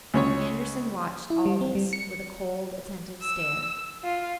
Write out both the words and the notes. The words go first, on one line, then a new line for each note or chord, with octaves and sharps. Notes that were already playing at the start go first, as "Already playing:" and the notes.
Andersen watched all this with a cold, attentive stare.
C#2 C#4 C#5
E4
G3
C4
G3
C#7
E6
F4